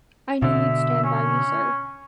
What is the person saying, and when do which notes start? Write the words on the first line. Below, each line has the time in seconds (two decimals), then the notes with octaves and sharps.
I knew you'd stand by me, sir.
0.42 B2 D3 E5
1.04 C#4